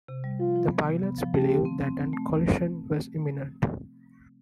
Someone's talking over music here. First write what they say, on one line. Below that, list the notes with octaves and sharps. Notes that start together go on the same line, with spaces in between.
The pilots believed that a collision was imminent.
C3
G3
F3 F4
F3
B3
C3
B3
F3
A3 G4
C4
C4
C4
C4
A3